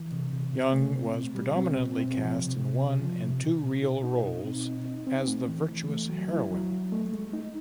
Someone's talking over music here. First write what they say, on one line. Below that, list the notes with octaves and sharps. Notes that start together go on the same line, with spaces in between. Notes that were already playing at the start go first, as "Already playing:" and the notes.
Young was predominantly cast in one and two reel roles as the virtuous heroine.
Already playing: E3
C3
C3
C3
A3
C4
B2
G3
C4
B2
C4
F3
C3
C3
C3
F3
C3
B2
B2
D#4
D#4
B2
C4
D#4
D#4
C4
A3
E3
E3
A3
F#3
E4
F#3
F#3
A3
G#3
D#4